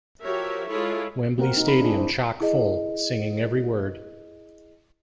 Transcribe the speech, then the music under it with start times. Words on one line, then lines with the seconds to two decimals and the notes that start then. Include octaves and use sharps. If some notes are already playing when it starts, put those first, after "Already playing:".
Wembley Stadium chock full, singing every word.
0.24 F3 F#4 G4 A#4 C#5 E5
0.70 G#3 E4 F4 A4 C#5
1.38 A#3 C4 F#4 A#4 F#5
1.57 D#4 F#4
1.68 B5
1.80 C4 D4 G#4
1.94 E4 C5
2.40 E4 G#4 D#5